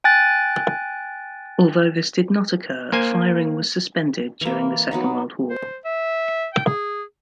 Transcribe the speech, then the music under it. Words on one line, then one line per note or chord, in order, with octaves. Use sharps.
Although this did not occur, firing was suspended during the Second World War.
G5 G#5 F#6 A6
A#3 C5 G#5
E3 A#3
F#3 B3 D#4
C5
E5
G5
G#4